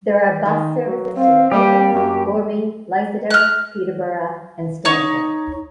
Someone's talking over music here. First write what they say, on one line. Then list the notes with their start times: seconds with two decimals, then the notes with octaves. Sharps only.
There are bus services to Oakham, Corby, Leicester, Peterborough and Stamford.
0.46 D#3
0.87 F#3
1.17 C4 F5
1.52 G3 A#3 G4
1.94 F#2
3.30 F6 F#6
4.85 D#4 C#5